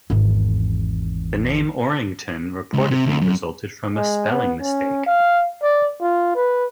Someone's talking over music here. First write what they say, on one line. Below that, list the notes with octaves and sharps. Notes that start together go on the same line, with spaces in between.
The name "Orrington" reportedly resulted from a spelling mistake.
G#1 E2
C#2
C3
D2
F#2
G#3
B3
C#4
F5
D5
F4
B4